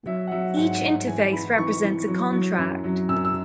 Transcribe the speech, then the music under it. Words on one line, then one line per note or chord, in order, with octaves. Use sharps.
Each interface represents a contract.
F#3 E5
F#5
F#3 E5
G#2 F#5
G#2
E3 G#5
E3 B5
E3 C#6
E3
F#3
F#3
F#2
F#3
F#2 E6
E6